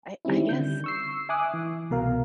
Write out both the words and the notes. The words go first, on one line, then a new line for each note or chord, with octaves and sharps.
I I guess,
D#3 G3 C4 C#4 E4
D3 G6
C#6 E6 C7
E5 G#5 D6 D#6 F#6
E3
C2 B2 A#4 F5